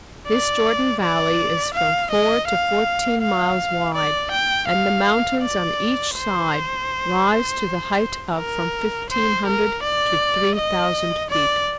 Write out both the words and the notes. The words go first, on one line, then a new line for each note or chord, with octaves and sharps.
This Jordan valley is from four to fourteen miles wide and the mountains on each side rise to the height of from fifteen hundred to three thousand feet.
D5
D5
F5
D#5
F5
F5
D5
G5
F5
D5
C5
A#4
C5
A#4
D5
D#5
D5